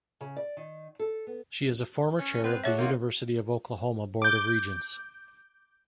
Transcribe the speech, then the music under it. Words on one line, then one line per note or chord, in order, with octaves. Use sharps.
She is a former chair of the University of Oklahoma Board of Regents.
C#3
D5
D#3
A4
B3
C#4
B3 C4 F4 B4
D4 F#4 G#4 C#5 E5
A#3 D#4 F4 F#4
D6 G6